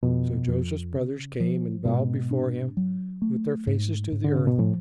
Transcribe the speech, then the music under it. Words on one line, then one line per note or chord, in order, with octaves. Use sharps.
So Joseph's brothers came and bowed before him with their faces to the earth.
F2 B2
F2
C#3
F3
G#2 B2
D4
F#3
A3
G#2
G#2
D3
C#3
B2
A2 F3